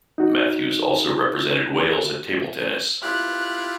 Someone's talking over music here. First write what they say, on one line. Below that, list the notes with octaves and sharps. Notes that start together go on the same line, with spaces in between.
Matthews also represented Wales at table tennis.
D#4 F#4
E4 F4 G4 F#6